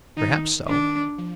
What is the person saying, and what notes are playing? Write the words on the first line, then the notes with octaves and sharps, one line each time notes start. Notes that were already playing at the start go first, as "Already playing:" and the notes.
Perhaps so.
D#3 D#4
D4
F3